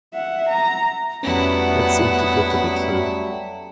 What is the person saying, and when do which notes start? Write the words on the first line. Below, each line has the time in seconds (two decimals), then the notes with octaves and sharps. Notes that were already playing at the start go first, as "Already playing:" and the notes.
It seemed too good to be true.
0.13 E5 F#5
0.50 A#5
1.23 F2 F#3 G3 A3 B3 C#4 E4 F#5